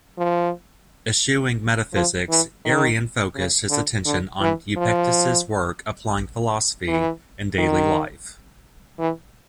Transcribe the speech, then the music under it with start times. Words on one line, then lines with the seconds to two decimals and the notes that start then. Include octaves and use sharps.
Eschewing metaphysics, Arrian focused his attention on Epictetus's work applying philosophy in daily life.
0.18 F3
1.94 F3
2.29 E3
2.65 D#3
3.35 C#3
3.70 D3
4.06 D3
4.41 E3
4.77 F3
6.88 E3
7.59 D#3
8.99 E3